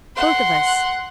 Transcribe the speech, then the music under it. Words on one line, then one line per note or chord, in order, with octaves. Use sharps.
'Both of us.
F#5 C6